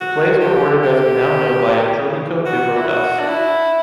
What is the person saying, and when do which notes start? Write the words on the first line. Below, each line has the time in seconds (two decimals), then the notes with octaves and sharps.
The plays were ordered as we now know by Andrónico de Rodas.
0.01 F#4
0.41 G4
0.83 G4
2.46 F#4
2.76 E4
2.87 F#4
3.19 D4
3.28 E4